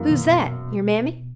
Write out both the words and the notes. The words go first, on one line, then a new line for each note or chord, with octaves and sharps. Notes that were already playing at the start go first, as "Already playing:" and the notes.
"Who's that--your Mammy?"
Already playing: F#2 E3 A#3
B2 D#3
B2